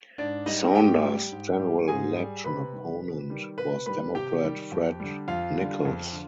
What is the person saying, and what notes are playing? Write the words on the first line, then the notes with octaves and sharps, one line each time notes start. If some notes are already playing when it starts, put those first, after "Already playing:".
Saunders general election opponent was Democrat Fred Nichols.
G#2 D4 D5
G3 D#4 D#5
G#2 G4 G5
G3
G#2
G3
G#2 G#4 G#5
G3
C3 B4 B5
D#3 G3
C3
D#3 G3
C3 B4 B5
D#3 G3 B4 B5
C3 G4 G5
D#3 G3
F2
D3 G3
F2 F4 F5
D3 G3
F2
D3